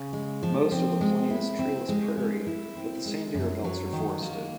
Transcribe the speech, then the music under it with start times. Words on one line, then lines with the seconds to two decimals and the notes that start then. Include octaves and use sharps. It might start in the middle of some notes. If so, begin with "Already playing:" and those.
Most of the plain is treeless prairie, but the sandier belts are forested.
Already playing: C#3
0.13 G#3
0.43 F3
0.72 C4
1.01 G#3
1.30 E4
1.59 C4
1.89 G#3
2.17 G#3
2.47 E4
2.77 C4
3.06 G#3
3.34 F#2
3.64 F#3
3.93 D#3
4.22 A#3